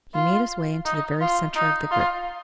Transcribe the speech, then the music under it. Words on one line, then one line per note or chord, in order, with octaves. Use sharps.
He made his way into the very centre of the group.
F4
D#4
F4
D#4
F4